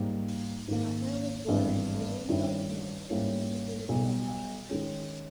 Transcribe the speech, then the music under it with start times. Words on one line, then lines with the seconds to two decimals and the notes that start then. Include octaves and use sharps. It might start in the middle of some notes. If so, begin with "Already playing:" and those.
Platner was born at Unionville, Connecticut, and educated at Yale College.
Already playing: G#2 G3 A#3 D#4 A#4
0.68 G#2 D#3 A#3
1.48 G#1 G2 E3 G3 B3
2.28 G2 D#3 G3 C#4 E4
3.09 G#2 G3 A#3 C#4 E4
3.89 B1 B2 G3
4.69 D#3 G#3 C#4